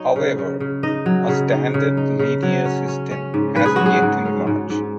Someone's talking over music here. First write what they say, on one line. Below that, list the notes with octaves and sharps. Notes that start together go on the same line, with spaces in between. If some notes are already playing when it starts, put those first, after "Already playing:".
However, a standard linear system has yet to emerge.
Already playing: F#3 D#4 C#5
C#3
C#3
C#3
D#4 D#5
F#3
C#3
D#4
C#3
D#4
C#3
F#3
C#4
C#4
C#4
G#2
G#2 B4
G#4
F#3 F#4
G#4
G#2
C#4
G#2
G#2